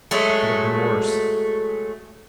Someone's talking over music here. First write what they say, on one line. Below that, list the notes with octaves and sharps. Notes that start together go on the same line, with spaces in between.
It could have been worse.
F#3 G#3 A3